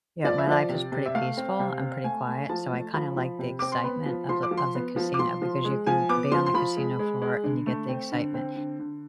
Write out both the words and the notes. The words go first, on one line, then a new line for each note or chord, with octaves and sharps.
yeah you know, my life is pretty peaceful. I'm pretty quiet, so I kinda like the excitement of the of the casino because you can be on the casino floor, and you get the excitement.
F3 D5
E5
F3 D5
C3
C3
E5
A3 F5
C4
C3
C4
A3 G#5
A3
F3 A5
A3
F3 B5
F3
C3
C4 D6
C6
B3 B5
F3
F3 C6
D6
F3
C6
B3
F3
D6
F3 C6
F3
G#3
F3 G#5
B3 D6
F3 C6
C6
F3 B5
G#3
G#3
G#3
D3
A3
C4
D3
C4
D3
D3